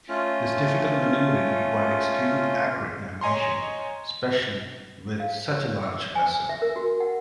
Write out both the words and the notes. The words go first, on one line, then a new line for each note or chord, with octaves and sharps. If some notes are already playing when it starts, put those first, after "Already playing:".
This difficult manoeuvring required extremely accurate navigation, especially with such a large vessel.
A3 C#4 F4
C#5 D#5 G#5 A#5 C6
F5
C#5
E6
G#5
E5
A#4
F#4
F#5